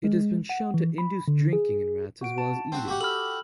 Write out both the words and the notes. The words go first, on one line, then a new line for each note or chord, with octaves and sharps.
It has been shown to induce drinking in rats as well as eating.
G#3
F#5
E3
B5
D3
G#4
F#4 F#5 D7
A5
C4 F#4
F#4 G4 F#5
A4 B5 E6 F6 F#7